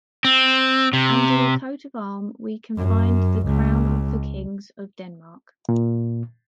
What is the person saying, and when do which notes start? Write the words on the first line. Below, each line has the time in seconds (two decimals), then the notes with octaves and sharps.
Under the coat of arm, we can find the crown of the Kings of Denmark.
0.25 C4
0.93 C3
2.77 F#2
3.46 C#2
5.69 A#2